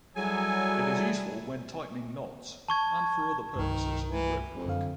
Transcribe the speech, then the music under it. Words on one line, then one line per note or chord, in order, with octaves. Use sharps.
It is useful when tightening knots and for other purposes in ropework.
F#3 G3 E4 G#4 A4 G#5
A5 C#6 G#6
C2 G2 D#3
E3
F2
F#2 D3 F5